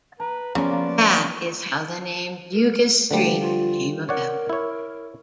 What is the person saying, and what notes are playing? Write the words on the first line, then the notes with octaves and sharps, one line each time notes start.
That is how the name Bugis Street came about.
B4 A#5
C#3 F3 B3 C#4 D5 A#5
A#3 A#4 B4
A#4
D3 F3 G3 A3
F4
A#4 C#5 D5 F#5
E4 C#5